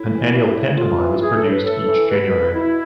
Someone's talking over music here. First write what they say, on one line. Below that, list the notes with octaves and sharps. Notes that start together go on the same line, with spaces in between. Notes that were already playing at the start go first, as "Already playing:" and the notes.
An annual pantomime is produced each January.
Already playing: A2 E4
E3
E3
A2
A2 F4
E3
E3 G#4
A4
A2
B4
A2 A4
E3
B2 B4
B2
B2 E4